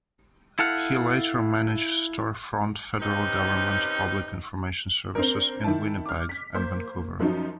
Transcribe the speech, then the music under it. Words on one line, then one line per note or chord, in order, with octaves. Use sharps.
He later managed store-front Federal government public information services in Winnipeg and Vancouver.
E4 A4 F5 F#5
C3 C#4 D#4 G4 B4
C4 D4 A#4
D#3 E4 A5
D6 F6
B6
A#3 C5
F#2 F3 F#3 D#4